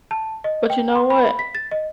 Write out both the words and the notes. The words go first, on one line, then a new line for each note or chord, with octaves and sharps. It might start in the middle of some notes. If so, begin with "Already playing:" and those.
But, you know what?
A5
D#5
G5
C6
B5
B6
A6
D#5